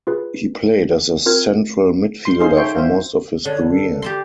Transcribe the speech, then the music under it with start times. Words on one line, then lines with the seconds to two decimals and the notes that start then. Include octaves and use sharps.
He played as a central midfielder for most of his career.
0.07 F4 G#4 B4
1.26 C4 F4 A#4 F6 G#6
2.25 C6
2.40 D#4 G#4 C5 F5 C6
2.56 A4 C#5 E5 G5 C6
2.75 C5 E5 F5
3.45 D3 C#5
3.71 A4
4.02 G4 A5 C6